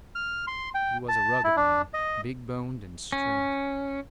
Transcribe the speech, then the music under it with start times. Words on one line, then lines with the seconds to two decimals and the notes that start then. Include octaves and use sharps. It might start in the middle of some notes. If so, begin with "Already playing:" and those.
He was a rugged man, big-boned and straight.
0.15 F6
0.47 C6
0.74 G5
1.08 A5
1.44 E4
1.57 D4
1.94 D#5
3.12 C#4